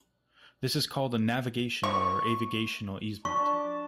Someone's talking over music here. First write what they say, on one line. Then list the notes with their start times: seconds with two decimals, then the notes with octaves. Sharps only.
This is called a navigation or avigational easement.
1.83 C#6
3.25 D4 A5 C#6